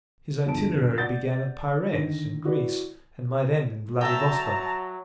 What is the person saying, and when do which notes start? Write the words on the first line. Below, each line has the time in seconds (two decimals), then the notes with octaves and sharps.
His itinerary began at Piraeus, in Greece, and might end in Vladivostok.
0.45 G1 E2 D3 F3 A5 D7
0.98 D5 F#5 G6 A6
1.92 D3 D#3 A#6
2.45 E4 F#4 B4 D5
4.01 F#3 E5 G5 A5 A#5